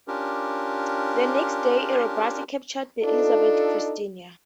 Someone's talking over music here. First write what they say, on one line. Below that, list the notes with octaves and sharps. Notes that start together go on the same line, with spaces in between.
The next day "Erebus" captured the "Elizabeth Christina".
C#4 D4 F4 G4 A#4
D4 D#4 F4 A4